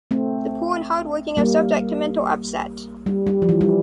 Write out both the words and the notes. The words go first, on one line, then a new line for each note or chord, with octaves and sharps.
The poor and hard-working are subject to mental upset.
A3 C4
G3 A#3
G3
G3
F3
E3
G3